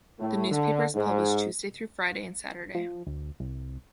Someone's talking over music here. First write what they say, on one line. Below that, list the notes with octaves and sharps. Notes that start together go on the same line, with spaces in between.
The newspaper is published Tuesday through Friday and Saturday.
A2
D3
G#2
F3
D2
C2